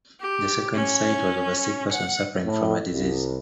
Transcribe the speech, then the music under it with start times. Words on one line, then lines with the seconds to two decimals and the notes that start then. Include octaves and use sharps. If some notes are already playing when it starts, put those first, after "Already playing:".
The second sight was of a sick person suffering from a disease.
0.20 G4
0.75 C#4
1.92 F#5
2.44 A2
2.91 C2